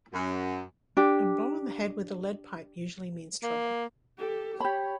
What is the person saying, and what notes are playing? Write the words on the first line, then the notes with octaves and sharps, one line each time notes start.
A blow on the head with a lead pipe usually means trouble.
F#2
D4 G4
A#3
G4 A4
G4 C#5 B5